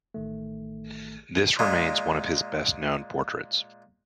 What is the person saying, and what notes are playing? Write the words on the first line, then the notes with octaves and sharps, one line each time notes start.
This remains one of his best-known portraits.
A1 D#3 A3
A#2 G#3